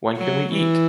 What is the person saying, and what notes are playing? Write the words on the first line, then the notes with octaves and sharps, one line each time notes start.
When can we eat?
F#3
E3